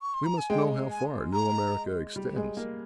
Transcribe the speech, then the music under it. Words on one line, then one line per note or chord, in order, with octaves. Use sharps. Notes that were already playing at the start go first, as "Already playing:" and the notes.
"We must know how far New America extends."
C#6
C6
A#5
G#5
G#3 G5
G#5
A#5
G3
G#3
A#3